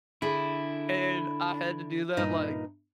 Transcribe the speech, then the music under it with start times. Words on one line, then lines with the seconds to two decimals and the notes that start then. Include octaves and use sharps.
and I had to do that, like,
0.22 D3 E4 G#4
2.17 G2 A#2 D#4